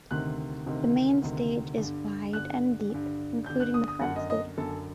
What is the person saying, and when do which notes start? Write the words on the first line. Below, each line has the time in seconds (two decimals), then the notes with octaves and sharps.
The main stage is wide and deep including the front stage.
0.10 D2 C3 D#3 F#6
0.66 D2 C3 D#3
1.22 D2 C3 D#3
1.78 G2 D3
2.33 G2 D3 F#6
2.90 G2 D3
3.46 G2 D3 G6
3.60 F#6
3.74 D#6
3.88 D#6
4.01 F#2 D3 F#5
4.16 D#5
4.30 D#5
4.57 F#2 D3 A4